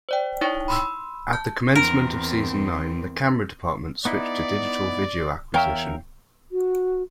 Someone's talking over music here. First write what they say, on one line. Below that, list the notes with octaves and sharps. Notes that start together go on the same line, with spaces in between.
At the commencement of season nine, the camera department switched to digital video acquisition.
C5 D5 G5
D#4 E4 C#5 G5 C#6 D#6
B5 C6 E6
A5 G6
E2 C4 A#4
B3 D#4 E4 D5
E2 A#4 C#5 E5 F5 G5
F#4